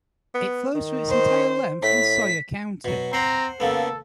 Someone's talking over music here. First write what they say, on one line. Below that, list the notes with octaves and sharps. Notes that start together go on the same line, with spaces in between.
It flows for its entire length in Sawyer County.
B3
D#3
C5
A2 B6
B2 F#3
C4 C5 F#5 A#5 C6
C#3 A#3 B3 A4